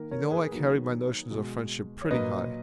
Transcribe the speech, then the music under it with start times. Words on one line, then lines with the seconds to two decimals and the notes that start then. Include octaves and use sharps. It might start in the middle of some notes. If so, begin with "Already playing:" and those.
You know I carry my notions of friendship pretty high.
Already playing: D#3 A#3 A#4
0.11 A#4 C#5
0.31 G#4 B4
0.52 D#3 F#3 A#3
1.31 B2 G#3
2.02 C#5
2.11 A#2 F#3 A#3 B4 D#5